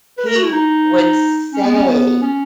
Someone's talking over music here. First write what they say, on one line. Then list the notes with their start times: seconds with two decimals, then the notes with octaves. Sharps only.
he would say
0.18 B4
0.27 A#4
0.35 F#4
0.44 E4
0.52 D#4
1.54 C#4
1.64 B3
1.75 C#4
1.88 B3
2.22 C#4